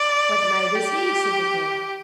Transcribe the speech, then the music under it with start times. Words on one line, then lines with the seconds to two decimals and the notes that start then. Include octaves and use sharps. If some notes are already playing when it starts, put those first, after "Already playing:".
What knight is he? said the king.
Already playing: D5
0.74 G4